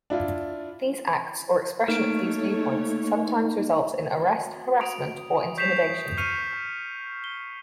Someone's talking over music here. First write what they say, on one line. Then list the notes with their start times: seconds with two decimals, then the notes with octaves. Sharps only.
These acts or expression of these viewpoints sometimes results in arrest, harassment, or intimidation.
0.10 D4 E4 F4
1.88 A3 A#3 D#4 A#4 C#5 D7
4.81 D#6 D7 F7
5.57 C#6 G6 B6 C7 E7 F7
6.17 C#6 F6 C7 C#7 D#7 F7
7.24 G7